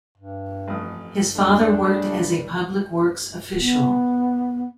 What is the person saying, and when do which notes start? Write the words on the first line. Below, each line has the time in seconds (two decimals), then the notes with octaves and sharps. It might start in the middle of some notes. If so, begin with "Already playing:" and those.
His father worked as a public works official.
0.17 G2
0.68 A1 F2 D#6
1.35 E2 A3 D4
1.84 F#3 G3 A3 G#4
3.59 B3